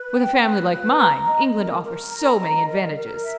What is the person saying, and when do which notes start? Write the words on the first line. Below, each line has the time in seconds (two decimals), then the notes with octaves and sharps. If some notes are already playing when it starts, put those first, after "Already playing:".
With a family like mine, England offers so many advantages.
Already playing: B4
0.16 G5
0.43 B4
0.71 B4
0.99 A#5
1.28 D#5
1.56 A#4
1.84 A#4
2.12 A#5
2.39 D#5
2.68 A#4
2.96 A#4
3.23 E5